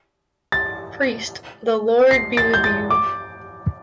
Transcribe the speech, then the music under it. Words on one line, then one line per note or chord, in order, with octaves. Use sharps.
Priest: The Lord be with you.
A6
C7
A6
G6
A6
D6